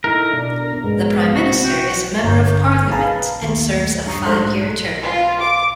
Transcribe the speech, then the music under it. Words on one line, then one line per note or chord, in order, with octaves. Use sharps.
The prime minister is a member of parliament and serves a five-year term.
D#4 E4 A4 A#4
B2 D4
G#2 G#3 B3
C3 C4 F#4
G5 C#6
G1 D3 A#4 C#5 G6
G#4 B4 F5 A5 A#5
D#2 A3
G2 A#5 C#6 D#6 C7
G#2 A3 C5 F#6
F4
D6